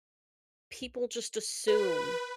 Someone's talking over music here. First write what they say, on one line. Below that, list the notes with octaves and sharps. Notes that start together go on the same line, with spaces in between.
people just assume
B4